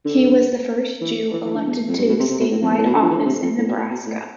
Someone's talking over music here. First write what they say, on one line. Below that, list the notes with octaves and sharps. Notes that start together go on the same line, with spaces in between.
He was the first Jew elected to statewide office in Nebraska.
D3
E3
E3
E3
D3
E2
F2
G2
B2
C3
C3
B2
A2
F2
E2
A2
B2
D3
F3
E3
D3
C3
F2
A2
B2
A2
B2
A2